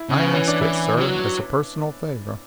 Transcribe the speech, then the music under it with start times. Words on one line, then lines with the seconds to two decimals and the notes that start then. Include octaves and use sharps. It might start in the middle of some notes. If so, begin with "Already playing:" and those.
I ask it, sir, as a personal favor.'
Already playing: E4
0.09 C#3
0.19 B3
0.33 E3 C#4
0.48 D4
0.61 E3 E4
0.97 E3
1.00 F#3